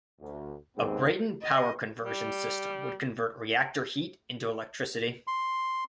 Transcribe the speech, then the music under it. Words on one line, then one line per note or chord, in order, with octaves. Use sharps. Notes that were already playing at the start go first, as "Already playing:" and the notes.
A Brayton power conversion system would convert reactor heat into electricity.
D2
D#2 G#2 B3 C4
D#5
G3
C6